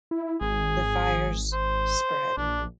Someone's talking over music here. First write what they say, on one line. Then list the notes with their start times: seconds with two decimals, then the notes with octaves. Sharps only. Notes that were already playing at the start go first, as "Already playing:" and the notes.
The fires spread.
0.11 E4
0.41 G#1 G#4
1.53 C5
2.37 A#1 D4